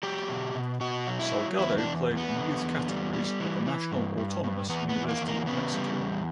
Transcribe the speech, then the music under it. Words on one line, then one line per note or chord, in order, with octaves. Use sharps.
Salgado played in youth categories at the National Autonomous University of Mexico.
F#3 G4
B2
B2
B2 F#4
F#3
E4
F#3
E2 E4
D4
E2
E2
B3
D3
E2
G3
G3
E3
E3
G2
G2
G2
E2 B3
B3
E2
A#3
E2
A#3
C#3 B3
G3
E2